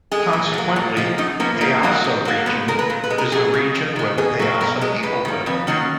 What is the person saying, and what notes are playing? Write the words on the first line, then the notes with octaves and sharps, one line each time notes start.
Consequently, "Paisa Region" is the region where the Paisa people live.
G#3 G#4
A#2
F#3 A#3
A#2
F3 G#3
F#2 D#4
F3 A#3 B3
G#2 A#3
D#3 F#3 A#3
G#2
F#3 A#3
A#2 B3
G#3 A#4
B4
A#2
B4
G#3
A#4
F#2 G#4
C#3 G#3
F2
D#3 G#3
B2 G#4
F#3 A#3
B2 A#4
G#3 G#4
F#2 B4
D#3 A#3
F2 B4
D#3 F#3 A#3 C#4